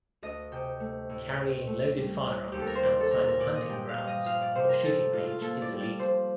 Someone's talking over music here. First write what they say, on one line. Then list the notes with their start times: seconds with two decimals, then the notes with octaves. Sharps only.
Carrying loaded firearms outside of hunting grounds or shooting range is illegal.
0.22 D2 D#5
0.52 C3 G5
0.80 A3
1.09 A2
1.38 C4
1.67 A3
1.97 G3
2.25 C4
2.52 D#2 G4
2.60 A4
2.67 A#4
2.75 C5
2.82 D#3 D5
3.01 A4
3.11 A#2 A#4
3.26 A#4
3.40 A#2 D5
3.55 D#5
3.69 G2 G5
3.89 F5
3.98 G2
4.08 D#5
4.26 F3 F5
4.41 D5
4.55 C3 C5
4.69 A#4
4.84 C4 A4
5.13 A2 F4
5.27 F4
5.41 A#3 A4
5.62 D5
5.71 G3
5.80 D5
5.99 F3 C5